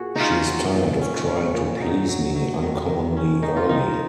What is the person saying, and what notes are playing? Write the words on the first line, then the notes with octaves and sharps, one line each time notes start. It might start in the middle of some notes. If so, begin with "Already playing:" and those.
She is tired of trying to please me uncommonly early.
Already playing: A#2 F#4 G#4
C#4 D#4 F4
F#3
A#2
C#4
C#4
A#2
F#3 D#4
F#3
F#3
D#3
D#3
C#4
D#3 D#4
F4
D#3 D#4